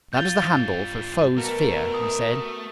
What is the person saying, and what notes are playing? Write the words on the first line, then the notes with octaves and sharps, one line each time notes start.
"That is the handle for 'Foes'-fear,'" he said.
G2 F4 G6 A6 G7
B2 A3 A#4
D#6